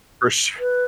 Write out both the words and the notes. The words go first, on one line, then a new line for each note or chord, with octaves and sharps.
For su
B4